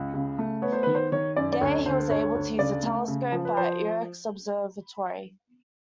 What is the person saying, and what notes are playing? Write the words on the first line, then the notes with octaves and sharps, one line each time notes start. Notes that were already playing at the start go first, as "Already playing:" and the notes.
There he was able to use the telescope at Yerkes Observatory.
Already playing: C#2
C#3
A3
B3 C#5
C5
D#3 B4
C5
D#3 C#5
F#2 D5
D5
D2 C#5
D3 C5
D2 C#5
D2
C#3 D5
A3
C#3
F3
B4
F3 C5